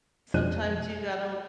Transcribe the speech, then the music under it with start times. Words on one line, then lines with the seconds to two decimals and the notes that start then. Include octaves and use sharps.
Sometimes you gotta
0.34 F2 B2 F3 D4 F#6 D#7